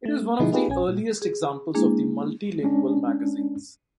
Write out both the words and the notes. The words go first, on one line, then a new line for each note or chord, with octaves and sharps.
It is one of the earliest examples of the multilingual magazines.
A3
B2 D3 F3 D#4 E4 G#4
A#3 D#4 F4 G4 G#4 B4
A#1 C#4 G#5
A#2
G#4
G#3 A#3 D4 E4 G#4
G#3 C#4 D4